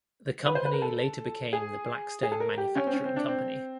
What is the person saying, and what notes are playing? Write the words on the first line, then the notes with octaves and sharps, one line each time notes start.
The company later became the Blackstone Manufacturing Company.
B4
C5
B4
A#4
A4
G#4
G#4
A4
A#4
G4
C#4
C4
C#4
C4
D4
C4